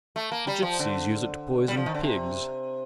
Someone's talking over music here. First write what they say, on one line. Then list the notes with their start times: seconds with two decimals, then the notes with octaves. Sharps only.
"The gipsies use it to poison pigs."
0.16 A3
0.32 A#3
0.47 G3
0.62 F3
0.79 D3
1.68 G3
1.77 F3
1.86 D#3
1.94 D3
2.03 C3